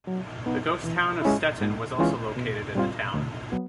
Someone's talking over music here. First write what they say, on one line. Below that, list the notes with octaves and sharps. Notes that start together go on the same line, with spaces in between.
The ghost town of Stettin was also located in the town.
F#3
B3 D#4
E3
G#3 C#4 E4
G#2
E3 G#3 C#4 F4
B2
G3 C4 F4
D2
F#3 B3